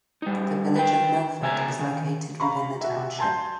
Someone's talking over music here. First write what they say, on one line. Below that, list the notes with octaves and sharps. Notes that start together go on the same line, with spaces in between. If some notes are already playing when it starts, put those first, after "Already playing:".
The village of Milford is located within the township.
G3 D#4
B4 G5
C#3 E5 G#5 A#5
D#3
F5 A#5 B5 C#6
F#4 E5
G#5 A5 C6 G6